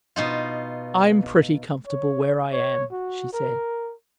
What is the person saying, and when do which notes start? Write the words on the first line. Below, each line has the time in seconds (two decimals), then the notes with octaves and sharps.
"I am pretty comfortable where I am," she said.
0.16 B2 D#4 F4
1.87 C#5
2.52 C#5
2.92 F#4
3.33 A#4